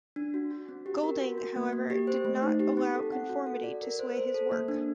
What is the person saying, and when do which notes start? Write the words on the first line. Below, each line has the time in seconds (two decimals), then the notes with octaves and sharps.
Golding, however, did not allow conformity to sway his work.
0.16 D4
0.34 F#4
0.51 F#4
0.69 C4
0.86 G4
1.03 A#4
1.21 F#4
1.38 F#4
1.56 A#3
1.73 A#3
1.90 G4
2.07 C5
2.25 A3
2.42 D#4
2.60 G4
2.77 C4
2.95 A4
3.12 F#5
3.29 F#4
3.47 A4
3.64 D5
3.82 A#4
3.99 C5
4.17 C5
4.34 A4
4.51 A#3
4.68 D4